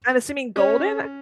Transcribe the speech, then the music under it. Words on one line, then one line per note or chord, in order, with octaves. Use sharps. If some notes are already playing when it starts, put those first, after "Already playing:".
I'm assuming Golden?
C#4 C#5